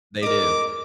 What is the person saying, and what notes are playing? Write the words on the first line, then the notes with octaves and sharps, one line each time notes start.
They do.
A#4 D#5 D6